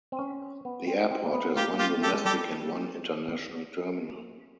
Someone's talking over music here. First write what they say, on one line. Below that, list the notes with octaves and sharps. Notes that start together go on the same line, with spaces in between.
The airport has one domestic and one international terminal.
C4
C#4
B3
C4
C4
A#3
B3
A#3 F4 G4
F4 G4
A3 G4 A4
G#3
G3 G4 A4